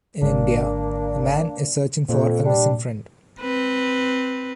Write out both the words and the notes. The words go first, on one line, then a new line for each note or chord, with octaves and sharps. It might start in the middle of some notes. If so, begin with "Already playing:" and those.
In India, a man is searching for a missing friend.
G#1 G#2 D3 A#3 D4
F2 A#2
G3 D4
C4 B4